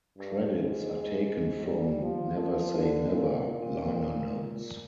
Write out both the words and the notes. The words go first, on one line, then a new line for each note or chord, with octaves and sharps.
Credits are taken from "Never Say Never" liner notes.
G2
G#2
G3
F3
F3
D3
A#2
A#2